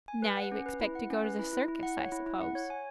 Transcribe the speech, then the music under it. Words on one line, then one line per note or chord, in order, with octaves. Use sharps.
"Now you expect to go to the circus, I suppose."
G#5
B4
F#5
C#4
B4
E4
F#5
C#4
B4
E4
E4
E4
F#5
C#5
E4
E4
F#5
C#5
G#5